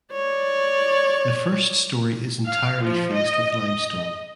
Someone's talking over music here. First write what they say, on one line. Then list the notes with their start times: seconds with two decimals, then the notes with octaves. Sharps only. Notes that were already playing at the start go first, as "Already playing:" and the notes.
The first story is entirely faced with limestone.
0.12 C#5 D5
2.47 F5
2.82 F3
3.14 D#5
3.59 D#5